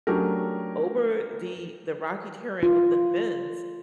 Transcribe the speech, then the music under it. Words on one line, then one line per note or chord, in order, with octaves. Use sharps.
over the the rocky terrain with the fins,
F#3 A3 C#4 D4 G4 A#4
F4